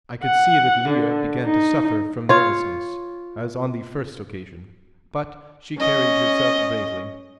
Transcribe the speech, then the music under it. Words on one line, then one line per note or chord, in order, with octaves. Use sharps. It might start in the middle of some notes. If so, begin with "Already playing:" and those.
I could see that Lilla began to suffer from nervousness, as on the first occasion; but she carried herself bravely.
F#5
D3
D#4
F4 C#5
C#4 D#5